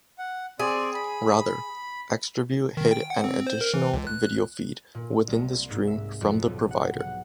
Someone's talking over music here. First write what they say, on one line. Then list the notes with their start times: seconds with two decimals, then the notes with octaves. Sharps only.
Rather, Xtraview hid an additional video feed within the stream from the provider.
0.18 F#5
0.59 C4 G#4 D5
0.94 B5
2.77 D#3
2.91 G5
3.10 F#5
3.24 C4
3.47 C5
3.61 A#4
3.74 E3
3.93 C#2
4.07 F#6
4.95 A#2
5.28 C2
5.70 G#2
5.87 E5
6.21 F2
6.45 B1
6.71 F#5
6.99 F#5